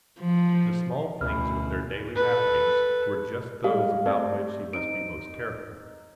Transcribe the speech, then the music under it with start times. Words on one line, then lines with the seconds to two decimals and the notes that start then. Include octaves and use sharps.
The small things with their daily happenings were just those about which she must be most careful.
0.19 F3
1.21 D2 B2 C#4 E4 F6
2.15 A4 B4
3.64 G3 G#3 F5
4.06 A3 C4 G4 D5
4.73 C4 D#4 D7